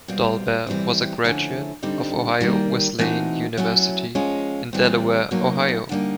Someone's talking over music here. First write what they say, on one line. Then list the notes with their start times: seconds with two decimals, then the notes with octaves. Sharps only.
Dolbear was a graduate of Ohio Wesleyan University, in Delaware, Ohio.
0.08 B2 G3 C4 F4
0.67 E3 G3 C4 E4
1.24 D3 F3 A3 C#4 E4
1.83 D3 G3 C4 D#4
2.41 D#3 G3 A#3
2.99 E3 A3 C4 D#4 F#4
3.57 F#3 A3 C#4 E4
4.15 F3 G#3 C#4 F4
4.73 E3 G3 C4
5.31 B2 F#3 A#3 D#4
5.89 D3 G3 A#3 D#4